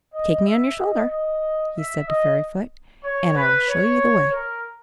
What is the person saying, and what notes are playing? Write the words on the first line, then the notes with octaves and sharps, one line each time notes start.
"Take me on your shoulder," he said to Fairyfoot, "and I will show you the way."
D#5
E5
D#5
D#5
E5
D#5
C#5
B4
C#5
A#4